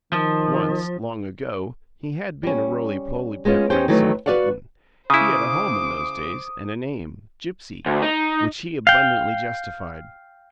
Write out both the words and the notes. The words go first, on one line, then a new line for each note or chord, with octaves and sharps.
Once, long ago, he had been a roly-poly pepper-and-salt kitten; he had a home in those days, and a name, "Gipsy," which he abundantly justified.
D#3 F3
G3 C#4
G#3 B3 C#4 F4
C#4 D#4 G4 C5 G5
D#3 E3 F#3 A3 B4
F#4 B4 D5 F5 F#5
C#3 E4 C5 D6 D#6
D2
D#4
F5 G5